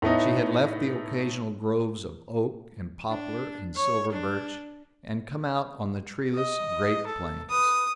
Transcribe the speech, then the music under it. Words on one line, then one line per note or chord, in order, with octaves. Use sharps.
She had left the occasional groves of oak and poplar and silver birch, and come out on the treeless Great Plains.
A2 A3 B3 D#4
D4
C#5
D4
D#5
A4
B4 D#6